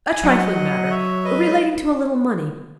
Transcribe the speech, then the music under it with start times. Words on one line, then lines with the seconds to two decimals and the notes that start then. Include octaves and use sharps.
A trifling matter, relating to a little money.
0.12 G#5
0.23 F#3 D#5 F#5
0.85 D#5
0.90 C#5 E5
1.25 B4 D#5
1.48 G#3